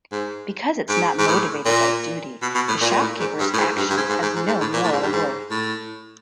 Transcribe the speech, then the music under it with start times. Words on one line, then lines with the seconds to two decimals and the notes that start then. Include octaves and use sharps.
Because it is not motivated by duty, the shopkeeper's action has no moral worth.
0.12 G#2
0.89 G#2
1.19 G#2
1.27 A2
1.65 A#2
2.42 B2
2.55 B2
2.68 A2
2.81 A#2
2.92 A#2
3.00 A2
3.20 G#2
3.39 G2
3.54 A2
3.58 G#2
3.77 G2
3.90 G2
3.97 G#2
4.09 G#2
4.22 G#2
4.35 G#2
4.47 G#2
4.60 A2
4.73 A#2
4.83 A2
4.92 G#2
5.03 G2
5.12 G#2
5.50 A2